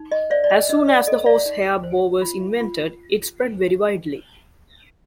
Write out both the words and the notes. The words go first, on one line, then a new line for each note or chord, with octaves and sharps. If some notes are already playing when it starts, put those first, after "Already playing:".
As soon as the horsehair bow was invented, it spread very widely.
Already playing: D#4
D#5
C5 D5 F5
D5
D#5
D4 D#5
D5
A4 D#5
D5 F5
D#4
C5
F4
F4